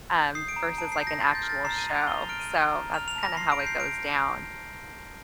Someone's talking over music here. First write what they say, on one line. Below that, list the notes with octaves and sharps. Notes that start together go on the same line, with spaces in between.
Um, versus, like, an actual show, so that's kinda how it goes down.
G6
D#6 C7
D7
A#5
A5 D7
C7
G6
A#6
C6 A6
G6
F6
A6
A#5 C7
D#7
G6
F7
C6 G7
F7
F6 D7
D#7
F6
A#5
F6 F7
F7
A5
A#6
C6 C7
D7
G6
C7
G6 D7